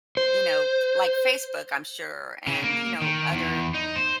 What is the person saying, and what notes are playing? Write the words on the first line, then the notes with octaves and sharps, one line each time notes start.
you know like Facebook, I'm sure, and, you know, other
C5
C#3
A#3
D#3
E2
D#4
C5